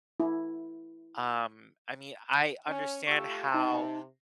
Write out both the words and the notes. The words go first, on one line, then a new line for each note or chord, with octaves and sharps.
um, I mean, I understand how,
E4
C#4
A3 F4 G4 C#6 E6
C3 D#4 A5